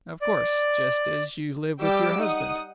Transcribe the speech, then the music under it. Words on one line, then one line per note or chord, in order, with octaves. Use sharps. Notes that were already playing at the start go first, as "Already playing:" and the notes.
"Of course--just as you live with your husband."
D5
G3 G5 D6 E6
D#4 F#5 D#6